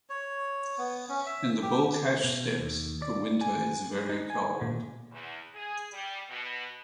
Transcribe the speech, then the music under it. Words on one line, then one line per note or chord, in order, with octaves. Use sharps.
In the Balkhash steppes the winter is very cold.
C#5
B3
C#4
E5
G4
B2
D#2
D5
G#5
D#4
G#5
A#2
E2
G#4
G3
B2